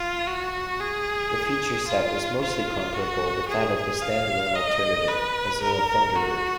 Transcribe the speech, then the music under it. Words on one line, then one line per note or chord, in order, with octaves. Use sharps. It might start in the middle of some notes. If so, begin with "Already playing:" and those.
The feature set was mostly comparable with that of the stand-alone alternative, Mozilla Thunderbird.
Already playing: F4
F#4
G#4
F4
F4
F#4
G#4
F5
D#5
B4
A#4
F#4